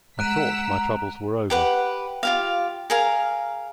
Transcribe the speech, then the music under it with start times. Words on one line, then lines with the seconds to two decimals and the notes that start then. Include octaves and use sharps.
I thought my troubles were over.
0.19 G#3 F#5 A#5 E6 F#6 B6 D7 D#7
1.50 G4 B4 F#5
2.23 F4 G4 F5
2.90 G#4 A#4 F5